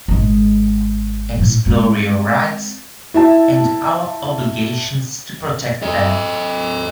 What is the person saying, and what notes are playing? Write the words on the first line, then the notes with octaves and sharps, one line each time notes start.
Explore your rights and our obligations to protect them.
G#1 G#3
A2
G#3 C4
E4 E5 A5
A4 D#5